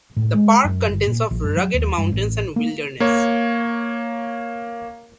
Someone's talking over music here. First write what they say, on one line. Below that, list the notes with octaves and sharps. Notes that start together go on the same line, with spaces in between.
The park contains of rugged mountains and wilderness.
A2
G#3
F#2
G1
A#2
A#1
F#2
F#3
D#2
G2
A1
A#3
A#3 C#5